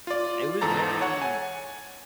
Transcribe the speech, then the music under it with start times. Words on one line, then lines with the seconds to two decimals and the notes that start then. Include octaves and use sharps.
It was very
0.07 F4 D5
0.61 E2 G#2 A4 A#5 A6
1.01 C#5 F#5
1.22 G#5